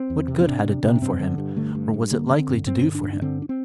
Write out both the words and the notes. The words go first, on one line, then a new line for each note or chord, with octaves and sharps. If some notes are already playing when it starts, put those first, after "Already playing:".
What good had it done for him, or was it likely to do for him?
Already playing: C4
E2
C3
C4
C3 D4
C3
C3
D4
G2 C4
D3
G2
D3 A3
G2
G2
D3 A#3
D3
C4
G2
G2 C4
D3
D4
G2
D4
D3 C4
D4
C4